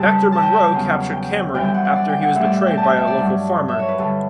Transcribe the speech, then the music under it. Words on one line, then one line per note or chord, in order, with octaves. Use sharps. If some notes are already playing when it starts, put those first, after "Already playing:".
Hector Munro captured Cameron after he was betrayed by a local farmer.
Already playing: F#2 C#3 G3 A5
A5
G5
G5
E2 C#3 F#3
G5
F#2 E3 G3 G5
G5
F#5
F#5
D5
G5
F#5
A2 G3 E5
D5
E5
G5
A5
G5
E5
D5
G2 F#3
E5
C#5
B4
G2 D3 G3 A4